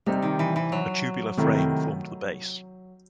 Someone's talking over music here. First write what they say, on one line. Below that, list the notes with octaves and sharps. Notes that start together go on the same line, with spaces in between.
A tubular frame formed the base.
C3 G3 C4 D#4 G4
D#3
E3
E3
F#3
C3 D#3 A3 E4